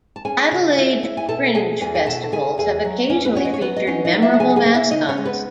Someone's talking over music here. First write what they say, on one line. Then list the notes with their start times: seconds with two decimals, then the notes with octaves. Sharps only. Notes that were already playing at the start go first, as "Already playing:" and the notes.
Adelaide Fringe Festivals have occasionally featured memorable mascots.
0.16 A5
0.25 C#4 G#4 G#5
0.52 C#3
0.78 E4
1.03 E4
1.17 G#5
1.28 B2 A4 A5
1.54 B3 G#4 G#5
1.81 E2 G#4 G#5
1.95 G#5
2.06 B2 A4 A5
2.22 A5
2.32 C#3 G#4 G#5
2.58 E2 G#4 G#5
2.85 F#3
3.10 E2 C#4 C#5
3.25 B4
3.36 B3 C#4 C#5
3.45 D#5
3.54 C#5
3.61 F#3 B3 B4
3.76 D#5
3.87 C#4 D#4 C#5
4.05 D#4 D#5
4.13 F#3
4.22 E4 E5
4.34 A5
4.40 C#3 G#4 G#5
4.50 F#5
4.56 G#4 G#5
4.65 C#3
4.74 E4 E5
4.91 C#3 D#4 D#5
5.08 C#4 C#5
5.17 G#3
5.25 B3 B4